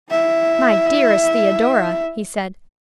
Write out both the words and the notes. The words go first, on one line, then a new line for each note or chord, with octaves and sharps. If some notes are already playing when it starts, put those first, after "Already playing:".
"My dearest Theodora," he said.
E4 E5